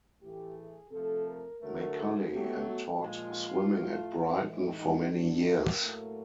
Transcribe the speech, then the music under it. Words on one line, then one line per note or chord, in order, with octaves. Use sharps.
Maculley and taught swimming at Brighton for many years.
A2 E3 A3 G4
G#4
C3 F3 A3 A4
A#4
D3 F#3 A3 A#4
G#4
B2 F#3 A3 G4
A#2 F3 G#3 F4
A2 F3 A3
A2 E3 G#3 E4
D#4
D3 F#3 A3 D4
A#3
A2 F#3 A3